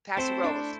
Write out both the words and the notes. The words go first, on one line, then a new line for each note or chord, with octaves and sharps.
Paso Robles.
A3 C4 E4 A4 C5
D4